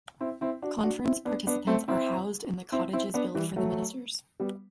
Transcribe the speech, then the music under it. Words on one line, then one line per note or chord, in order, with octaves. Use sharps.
Conference participants are housed in the cottages built for the ministers.
C4 E4
C4 E4
D4 F#4
D4 F#4
C4 E4
B3 D4
B3 D4
A3 C4
C4 E4
C4 E4
C4 E4
B3 D4
E3 G3
F#3 A3
G3 B3